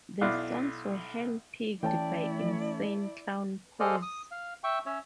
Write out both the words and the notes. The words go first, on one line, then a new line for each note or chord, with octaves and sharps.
The songs were hand picked by Insane Clown Posse.
B1 E4 D5 F5 D6 F#6
E3 A3 C#4 E4 D5 G5 A5
G#4 A4 C5 D5 D#5 F5
D#6
F5
E5 G5 C#6
C#4 C#5 E5